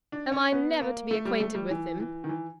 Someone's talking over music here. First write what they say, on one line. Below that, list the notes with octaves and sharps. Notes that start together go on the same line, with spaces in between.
Am I never to be acquainted with him?
D4
C#4
B3
A#3
A3
G3
A3
G3
E3
E3
D#3
E3